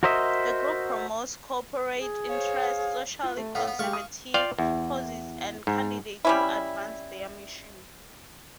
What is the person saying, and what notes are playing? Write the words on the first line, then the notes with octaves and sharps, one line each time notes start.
The group promotes corporate interests, socially conservative causes and candidates who advance their mission.
F#4 A#4 C5 D#5 E5
G#4
C5 C#5 F5
F4
A3
A2 B3 F5
B3
G#3 G4 F5 C#6
D#6
F4 D5 F5 G5
E2
G#2
G3 C#4 E4